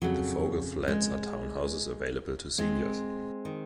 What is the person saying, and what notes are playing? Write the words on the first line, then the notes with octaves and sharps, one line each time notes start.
The Fogle Flats are townhouses available to seniors.
F2 C#3 F#3
G#3
G#3 C4
D#3